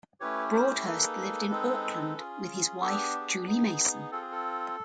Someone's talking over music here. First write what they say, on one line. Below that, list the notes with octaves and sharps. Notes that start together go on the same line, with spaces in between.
Broadhurst lived in Auckland with his wife Julie Mason.
A3 C#4 E4 G4 B4 C#5
A#4 C5
A#3 D#4 G#4 A4 B4
G#3 C4 D#4 G#4
C#4 F4 G#4
B3 D4 G4 A4
G#4
G#4
B3 D#4 G#4
C4 F4 G#4 A4
G#4
A4